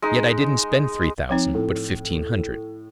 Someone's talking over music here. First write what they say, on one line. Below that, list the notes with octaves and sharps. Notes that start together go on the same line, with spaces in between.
Yet I didn't spend three thousand, but fifteen hundred.
G#3 D#4
F3 C4 D#4
A2